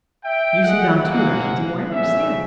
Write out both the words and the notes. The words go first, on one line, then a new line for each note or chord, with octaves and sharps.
You sit down, too, Rakitin; why are you standing?
E5 G5
G#4 A4 D#5 F#5
G#2 E3 F#3 G#3 A#3 F#5
A#1 F2 C#3 E5